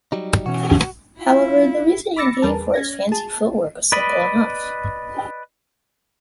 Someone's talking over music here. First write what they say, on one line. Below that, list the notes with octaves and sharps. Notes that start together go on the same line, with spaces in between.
However, the reason he gave for his fancy footwork was simple enough.
F#3 G3 D#4
B2 E3 C#4 F#4
E4 F4
B5 D6 E6 A6 A#6 C#7
E2 G3 G#4 A#4 B4 A5
C#4 G#6 A#6
G#4 A5
B4 D5 D#5 B5